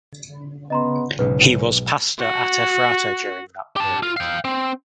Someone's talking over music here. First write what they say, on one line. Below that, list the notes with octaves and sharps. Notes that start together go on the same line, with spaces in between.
He was pastor at Ephrata during that period.
C#3 B3 D#5 A#5 C6
B1 G#2 C#3 B4
F#4
G4 A5
F4
F5 G5
C4